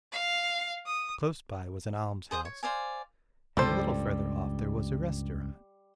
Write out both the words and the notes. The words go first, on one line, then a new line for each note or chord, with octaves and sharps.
Close by was an almshouse, and a little further off there was a restaurant.
F5
D#6
G#4 C5 D5 D#6
C#5
C5 D5 F5 G#5
C#2 G2 G3 A4 C5